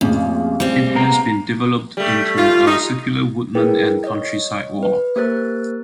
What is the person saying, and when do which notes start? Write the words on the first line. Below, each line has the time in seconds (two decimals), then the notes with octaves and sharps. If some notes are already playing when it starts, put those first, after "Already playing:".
It has been developed into a circular woodland and countryside walk.
0.01 A1 F2 A#2 C#3
0.60 G3 C4
0.95 B3 A#5
1.97 G3 A3
2.38 F4
2.67 D#4
3.55 E4 G#4 A#4 B4 G5
4.04 C#5 D#5
4.83 B4
5.16 A#3 G4 A#4 C5 F#6 A6